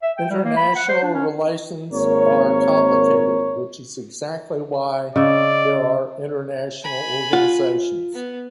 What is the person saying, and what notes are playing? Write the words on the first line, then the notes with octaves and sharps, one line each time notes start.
International relations are complicated, which is exactly why there are international organizations.
E5
G5
G3
A#3
B5
F#5
C5
D4
C#4
G#1 A#3 C4 A#4 C#5
C#3 D5 D#5 E6
G#5 B5
F4 F#5
B3